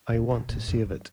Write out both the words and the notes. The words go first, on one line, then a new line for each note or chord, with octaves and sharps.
I want to save it.
C#3
B2
A#2
F#2
F#2